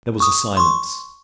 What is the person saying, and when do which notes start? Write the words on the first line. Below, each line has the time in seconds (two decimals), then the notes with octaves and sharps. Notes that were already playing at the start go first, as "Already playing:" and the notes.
There was a silence.
0.20 C#6 D#6
0.57 C6 C#6